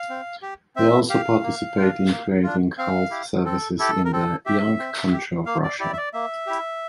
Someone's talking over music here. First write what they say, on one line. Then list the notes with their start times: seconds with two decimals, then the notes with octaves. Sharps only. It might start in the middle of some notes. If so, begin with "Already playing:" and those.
He also participated in creating health services in the "young country" of Russia.
Already playing: F5
0.10 C4
0.42 G4
0.76 C4 E5
1.10 G4 F5
1.44 A#3
1.77 D4 F4
2.11 A#3
2.44 D4 F4
2.78 C4 F5
3.11 E4 G4
3.45 C4 A4
3.79 E4 G4 A4
4.05 A#4
4.13 C4 A4
4.46 G4 E5
4.79 C4
5.12 G4
5.46 A#3 F5
5.64 D5
5.80 E4 G4 D5
5.93 E5
5.97 D5
6.13 A#3 E5
6.47 E4 G4